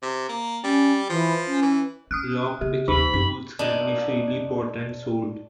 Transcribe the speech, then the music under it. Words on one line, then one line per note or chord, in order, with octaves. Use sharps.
Lock picking tools can be freely bought and sold.
C3
A#3
G3 C#4
E3 F3
C#4
E3
C#4 D#6 F6 F#6
C#3 B3 G4
D#2 E3 D#4 B5
F#2 B6
D4 D#4